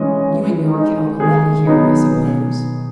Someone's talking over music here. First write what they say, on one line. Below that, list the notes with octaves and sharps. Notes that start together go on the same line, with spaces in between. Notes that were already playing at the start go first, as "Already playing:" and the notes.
You and Yorke held a levee here, I suppose?
Already playing: E3 G#3 C#4 D#5
E3
G#3 D#4
D#3 G#4
F#3 B3 D#4
B2